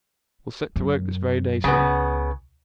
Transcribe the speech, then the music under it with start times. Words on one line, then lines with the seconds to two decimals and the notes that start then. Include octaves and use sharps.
"We'll set to work this very day, sir."
0.76 F#2
1.64 C#2 C#3 B3